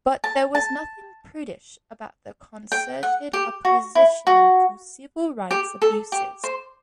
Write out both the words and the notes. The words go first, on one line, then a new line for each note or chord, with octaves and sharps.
But there was nothing prudish about their concerted opposition to civil rights abuses.
A5
A5
G5
F#5
G4
F#4
E4
F#4
G4
A4
G4
C5